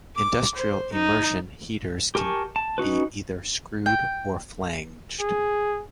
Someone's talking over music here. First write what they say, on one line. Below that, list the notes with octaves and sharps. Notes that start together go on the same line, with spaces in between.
Industrial immersion heaters can be either screwed or flanged.
D6
C5
D#4
G4 A#4 G#5 A5 C#6
A5
C#4 D#4 F#4 B4
G5
G#4